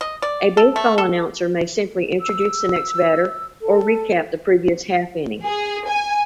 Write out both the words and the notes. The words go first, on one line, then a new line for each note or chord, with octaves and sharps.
A baseball announcer may simply introduce the next batter or recap the previous half-inning.
D#5
D5
A4
A3
A4
E6
A4
G#4
G#5